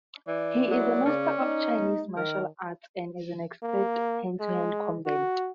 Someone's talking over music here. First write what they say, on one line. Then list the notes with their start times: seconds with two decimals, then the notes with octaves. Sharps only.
He is a master of Chinese martial arts, and is an expert hand-to-hand combatant.
0.28 E3 D5
0.70 F#3 E4
1.06 C#3 C#4
1.41 D#4
2.17 D#3 A#4
3.62 A#3
4.40 G#3
5.06 F#4